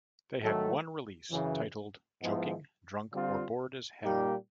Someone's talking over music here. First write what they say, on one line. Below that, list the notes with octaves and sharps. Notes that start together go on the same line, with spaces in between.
They had one release, titled "Joking, Drunk, or Bored as Hell".
D#3 F#3 A3
F#2 C#3 E3
G#2 F3 G#3 B3 E4
D3 G3 C4 F4
A#2 G3 A#3 D#4 G4